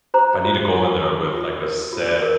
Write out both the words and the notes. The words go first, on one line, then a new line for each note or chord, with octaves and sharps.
I need to go in there with, like, a set,
C5 A#5
F4
F4
A4
F4
A#4
F4
A#4